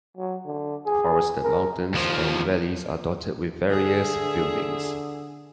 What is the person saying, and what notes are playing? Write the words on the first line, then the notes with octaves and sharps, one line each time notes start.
Forested mountains and valleys are dotted with various buildings.
F#3
D3
G#4
A#4
D#2 F3
D3 G#4 E5